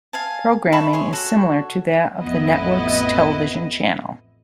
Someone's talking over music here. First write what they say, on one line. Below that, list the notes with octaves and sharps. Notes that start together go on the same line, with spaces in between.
Programming is similar to that of the network's television channel.
F5 G#5 A5
E5 A5 B5 C#6
G#4 C#5 C6
F#4 A4 C#5
A1 F2 B3 E4 D#5